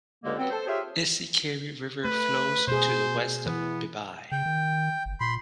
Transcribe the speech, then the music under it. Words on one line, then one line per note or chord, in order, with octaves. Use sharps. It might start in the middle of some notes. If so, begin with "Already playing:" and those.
Ishikari River flows to west of Bibai.
C#2 G2 D3 G#3 A#3
F#3 B3 C4
A4 C5
F4 G4 G#4 C#5 E5
A3 B4
B2 G#4 C5
E3 B3
C#3 G5
D#3
G1
A#2 B5 C6